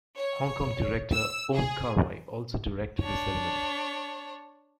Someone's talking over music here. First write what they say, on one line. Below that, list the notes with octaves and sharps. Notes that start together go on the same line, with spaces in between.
Hong Kong director Wong Kar-wai also directed the ceremony.
C#5
E6
G#4
D4 C#5